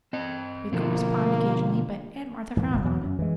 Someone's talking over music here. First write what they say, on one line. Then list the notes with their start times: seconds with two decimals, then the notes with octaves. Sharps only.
We correspond occasionally, but Aunt Martha frowns on it.
0.13 C4 D#5
0.72 B2 D3 F3 A#3
2.57 G#2 E3 A#3
2.71 F#1 A#2
2.84 E2 B2 F#3
3.03 F#2
3.19 E3 G#3